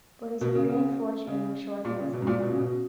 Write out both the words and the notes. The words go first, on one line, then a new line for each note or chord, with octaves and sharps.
But his regained fortune was short-lived.
B2
C#3
C#3
C#3
A#2
C#3
B2
G#2
A#2
B2
C#3
B2